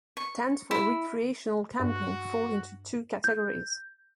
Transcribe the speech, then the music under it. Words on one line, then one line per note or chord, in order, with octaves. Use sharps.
Tents for recreational camping fall into two categories.
C#6
E4
G2 F#4
G6